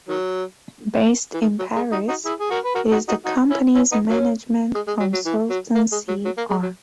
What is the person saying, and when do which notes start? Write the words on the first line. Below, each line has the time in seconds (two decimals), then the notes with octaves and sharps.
Based in Paris, it is the company's management consultancy arm.
0.09 D#3 F#3
1.34 E3
1.42 D#3
1.59 F#3
1.75 G#3
1.92 D#4 F#4
2.08 D#4 F#4
2.25 E4 G#4
2.40 G#4
2.51 F#4 A#4
2.65 B4
2.75 F#4 A#4
2.91 D#4 F#4
3.08 D#4 F#4
3.25 D#4 F#4
3.50 C#4 E4
3.75 C#4 E4
3.92 B3 D#4
4.09 F#3 A#3 C#4
4.75 G#3
4.87 G#3
5.00 F#3
5.13 F#3
5.25 E3
5.50 F#3
5.75 A#3
5.92 G#3
6.08 F#3
6.25 F#3
6.37 A#3
6.50 G#3
6.63 F#3